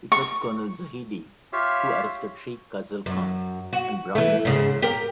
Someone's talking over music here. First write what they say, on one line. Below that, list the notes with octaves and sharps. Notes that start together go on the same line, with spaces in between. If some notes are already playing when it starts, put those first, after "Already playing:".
It was Colonel Zahedi who arrested Sheikh Khaz'al Khan and brought him to Tehran.
C#6
F4 G4 C#5 E5 F5 E6
F#2
F#4
E3 A3
G#2 C#3
G4 A#4